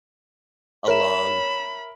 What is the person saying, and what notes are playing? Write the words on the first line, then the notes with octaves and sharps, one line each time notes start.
a lung,
A#4 C#5 E5 B5 E7